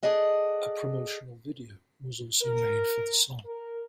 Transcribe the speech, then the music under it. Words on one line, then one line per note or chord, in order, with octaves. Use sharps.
A promotional video was also made for the song.
G#4 A4 D5 D#5 F#5
A#4
A#4